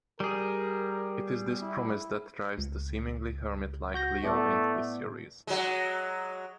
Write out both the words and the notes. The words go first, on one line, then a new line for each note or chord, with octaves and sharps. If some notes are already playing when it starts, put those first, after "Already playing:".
It is this promise that drives the seemingly hermit-like Leo in this series.
G3 G#4 A#4
E4
C#2
F#4 G6 A#6
A2 A3 B3 D5
F#3 G#3